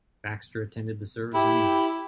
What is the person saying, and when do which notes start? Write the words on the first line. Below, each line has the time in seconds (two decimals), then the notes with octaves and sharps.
Baxter attended the service anyway.
1.34 E4 G4